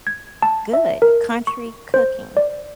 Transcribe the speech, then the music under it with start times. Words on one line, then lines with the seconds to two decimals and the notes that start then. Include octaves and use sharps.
good country cooking
0.07 G#6
0.42 A5
0.73 E5
1.02 A#4
1.47 C#6
1.94 C5
2.37 D5